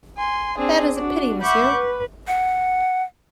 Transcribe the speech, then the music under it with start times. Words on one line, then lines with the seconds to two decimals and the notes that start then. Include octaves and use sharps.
That is a pity, monsieur.
0.16 G#5 C6
0.57 C4 D4 G#4
0.95 D4 F#4
1.42 E5 F#5 B5 C#6 D6 G6
1.73 B4
2.27 F#5